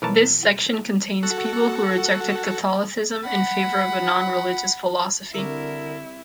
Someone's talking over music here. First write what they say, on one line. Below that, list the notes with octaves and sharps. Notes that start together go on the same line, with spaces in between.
This section contains people who rejected Catholicism in favor of a non-religious philosophy.
B1 E3 A#4 B4 C#5 A5
F#4 A4 F#5
F#5 B5
C2 D3 E4 A#4 E5